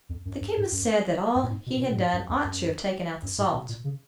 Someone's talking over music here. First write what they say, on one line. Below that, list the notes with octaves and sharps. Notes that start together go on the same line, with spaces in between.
The chemist said that all he had done ought to have taken out the salt.
F2
F#2
F#2
G#2
F#2
F#2
A#2
G#2
B2
A#2
B2
A#2
G#2
F#2
F2
F#2
F#2
G#2
B2
A#2
C#3